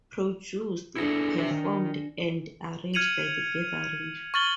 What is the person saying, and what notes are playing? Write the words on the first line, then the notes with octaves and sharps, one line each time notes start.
Produced, performed and arranged by The Gathering.
D4 E4 G#4 A4 A#6 C#7
C5 E5
D#3
F6 G#6 C#7 D#7 F7 F#7
C#6 F6 A6 F#7 G7